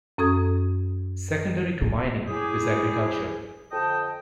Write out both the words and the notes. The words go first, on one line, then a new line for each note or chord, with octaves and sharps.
Secondary to mining is agriculture.
F#2 C#4 A4 D#6 G#6
C#4 E4 G4 G#4
F2 D3 D#5 G5 A5